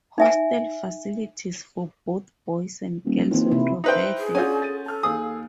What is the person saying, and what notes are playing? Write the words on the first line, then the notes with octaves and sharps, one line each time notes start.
Hostel facilities for both boys and girls were provided.
D#4 E5 G#5
D#1
D#2 E3 C4 F4
C3 E3 E4
D#4 E4 B4 C5 G5
G#4
C#4 D4 F4 F#4 D5 G#5 G6
A4 A6 D#7
A4 A5 F6
D#2 G#4 F5 D#6